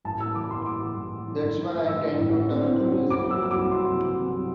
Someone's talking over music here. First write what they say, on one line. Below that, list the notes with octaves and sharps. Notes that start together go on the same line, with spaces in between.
That's why I tend to turn to music.
A1 A5
A2 E6
E3 D6
E3 C6
A2 D6
E3
A1
E3
E3
A1
E3
A2
E3 E6
A2
A1
A2
C4
C4
F#3
F#3
C2 D6
F#3
E6
F#3 E6
D6
C2
C3 C6
C2
C3
C4
F#3